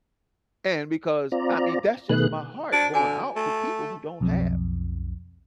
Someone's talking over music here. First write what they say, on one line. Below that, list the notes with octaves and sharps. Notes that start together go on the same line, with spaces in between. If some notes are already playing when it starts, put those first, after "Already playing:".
And because, I mean, that's just my heart going out to people who don't have.
C4 F4 D5 A#5
B2 D#3 A3 G#4 B4 F#6
D4 F#4 C5
D3 F#4 G#5 D6
A3
B1 F2